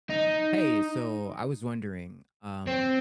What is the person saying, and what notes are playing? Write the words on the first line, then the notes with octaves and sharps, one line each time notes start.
Hey, so I was wondering, um,
D#4
C4